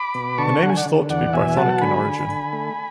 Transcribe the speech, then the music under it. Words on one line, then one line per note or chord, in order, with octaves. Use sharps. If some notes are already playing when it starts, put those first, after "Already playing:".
The name is thought to be Brythonic in origin.
Already playing: B5 D6
B2
D3 A5 C#6
D3 F#5
G#5
D5 F#5
D3
E2 D5 F#5
B2 E5 G#5
F#3 F#5 A5
D3 G#5 B5
D3
D3
A3